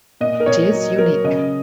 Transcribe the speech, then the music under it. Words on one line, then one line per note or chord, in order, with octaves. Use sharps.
It is unique.
A#2 D#5
A#4
A#2 C#5
F#3
F#3 A#4
C#3 D#5